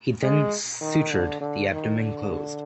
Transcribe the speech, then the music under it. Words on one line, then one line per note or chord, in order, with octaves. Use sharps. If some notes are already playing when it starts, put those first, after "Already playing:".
He then sutured the abdomen closed.
G#3
D#3
D3
D3
D#3
D3